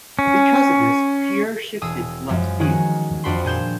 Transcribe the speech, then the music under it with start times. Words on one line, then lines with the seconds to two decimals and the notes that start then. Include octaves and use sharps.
Because of this, Pierre shifted to left field.
0.19 C#4
1.82 E1 G#4 D#6 E6
2.29 F#2 F3 G#3
2.60 D#3 G#3 C#4 D#4 F#4 G#4
3.24 F2 D4 F#4 B5 C6
3.44 A#2 G#4 G6 E7